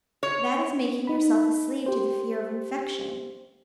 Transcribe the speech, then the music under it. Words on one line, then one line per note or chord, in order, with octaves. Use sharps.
'That is making yourself a slave to the fear of infection.'
C#5
D#4 B5
G4 C5